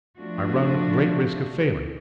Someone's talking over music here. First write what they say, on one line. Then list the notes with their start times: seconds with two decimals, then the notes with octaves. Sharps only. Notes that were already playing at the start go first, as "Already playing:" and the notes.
I run great risk of failing.
0.19 F3 A3 D4 F4 F#4